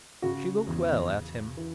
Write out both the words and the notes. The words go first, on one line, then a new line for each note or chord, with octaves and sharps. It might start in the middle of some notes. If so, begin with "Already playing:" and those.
She looked well at him.
C#3 F#4
E2
E2
E3